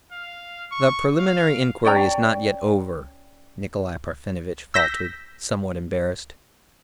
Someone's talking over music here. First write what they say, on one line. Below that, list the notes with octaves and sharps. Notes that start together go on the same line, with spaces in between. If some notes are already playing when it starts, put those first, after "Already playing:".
"The preliminary inquiry is not yet over," Nikolay Parfenovitch faltered, somewhat embarrassed.
F5
C#6
F5
C#4 D5 G5 A#5
E6 G6 A#6 B6